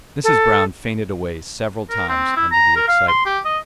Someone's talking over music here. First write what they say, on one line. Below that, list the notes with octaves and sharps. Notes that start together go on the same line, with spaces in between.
Mrs. Brown fainted away several times under the excitement.
A4
A#4
C4
E4
A#5
A#4
F5
C6
G4
D#5